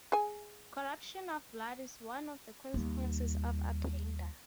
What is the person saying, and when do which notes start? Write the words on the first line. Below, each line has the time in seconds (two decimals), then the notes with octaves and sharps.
Corruption of blood is one of the consequences of attainder.
0.12 G#4 G#5
2.74 D#2 G3